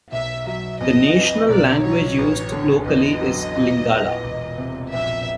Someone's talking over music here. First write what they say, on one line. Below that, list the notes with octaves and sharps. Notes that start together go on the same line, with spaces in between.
The national language used locally is Lingala.
B1 E5
F#3 E5
F2 D#5
E3
B1 D5
F#3 C#5
A1
D3
E2 D#5
F#3
A#2
B3
E1
C3
A#1 E5